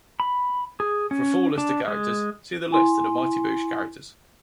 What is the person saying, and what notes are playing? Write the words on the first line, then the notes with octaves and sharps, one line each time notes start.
For a full list of characters, see the List of The Mighty Boosh characters.
B5
G#4
C#4
D4
G#3
E4 G#5 C6